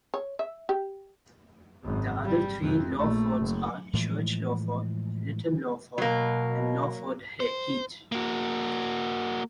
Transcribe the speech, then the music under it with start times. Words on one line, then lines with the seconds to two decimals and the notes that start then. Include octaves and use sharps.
The other three Lawfords are Church Lawford, Little Lawford and Lawford Heath.
0.14 C#5
0.39 E5
0.69 G4
1.83 G#1 F#2
2.24 G3
2.62 F2 C3
2.96 A#1 A3
3.38 F#1
3.93 A2 E3 F3 G#3
5.98 B2 F#3 A#3
7.40 C5
8.12 A#3 F#4